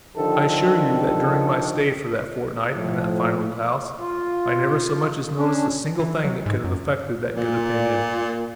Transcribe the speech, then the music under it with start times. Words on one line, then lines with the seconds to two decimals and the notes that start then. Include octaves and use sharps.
I assure you that during my stay for that fortnight in that fine old house, I never so much as noticed a single thing that could have affected that good opinion.
0.17 D3 D#3 F3 G4 A4
2.74 A2 F3
3.98 F4
5.36 C#4 D4
6.00 E3
6.24 F#3
6.46 G#2
6.64 F#2
7.35 A#2